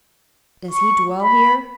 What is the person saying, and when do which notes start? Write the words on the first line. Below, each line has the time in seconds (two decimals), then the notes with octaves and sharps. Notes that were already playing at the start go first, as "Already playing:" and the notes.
Does he dwell here?
0.71 C#6
1.23 B5